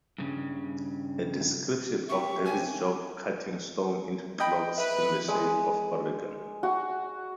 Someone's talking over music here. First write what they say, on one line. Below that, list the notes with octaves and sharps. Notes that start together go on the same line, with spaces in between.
A description of David's job cutting stone into clocks in the shape of Oregon.
G2 C#3
G4 E5 C#6
C#3 C4 G4 G#5
D#5 G5 B5
B4 E5
G#3
F#4